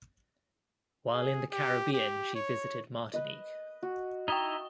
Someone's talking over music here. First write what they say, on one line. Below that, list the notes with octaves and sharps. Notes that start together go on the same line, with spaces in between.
While in the Caribbean, she visited Martinique.
G#4
G4
G4
C#5
B4 D#5
F#4
D#4 E4 G5 A#5 D#6 G7